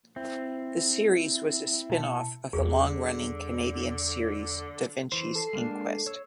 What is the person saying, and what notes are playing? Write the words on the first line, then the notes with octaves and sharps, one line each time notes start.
The series was a spin-off of the long-running Canadian series "Da Vinci's Inquest".
C4 E4
B2 A5 C#7
E2 D3 G3 G#4
E3 C5
A4 C7
G#3 A#3 D4
C#5 E6